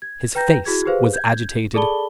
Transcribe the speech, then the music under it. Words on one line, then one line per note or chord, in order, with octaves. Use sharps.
His face was agitated.
G#6
B4 G5 A#5 G6 A#6
E4 F#4 G#4 G#6
G4 G#4 B4 C5 F5
G6 G#6
G#4 A4 D5 A5 B5 G7